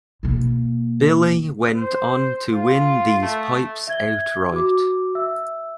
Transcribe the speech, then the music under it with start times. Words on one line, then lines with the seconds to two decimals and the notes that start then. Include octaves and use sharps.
Billy went on to win these pipes outright.
0.23 B2 A#3
1.76 C5
2.53 F4
3.22 A3
3.87 E5 G#6 G7
4.52 F#4 D6
5.15 E5 E6